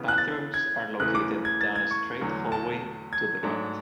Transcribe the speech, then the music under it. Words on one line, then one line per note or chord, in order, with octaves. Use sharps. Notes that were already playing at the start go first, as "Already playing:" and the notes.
Bathrooms are located down a straight hallway to the right.
Already playing: C#3 E3 B3
F#6
A6
G#6
E2 C#3 E3 A3 F#6
D6
G#6
A6
G#6
C#6
E2 D3 F#3 A3
A5
G#6
G#2 F#3 A3 D4